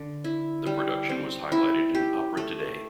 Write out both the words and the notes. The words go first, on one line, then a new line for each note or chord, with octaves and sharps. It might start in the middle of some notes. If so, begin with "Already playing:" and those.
The production was highlighted in "Opera Today".
Already playing: D3 D4
E4
G3
C4
E4
G4
A3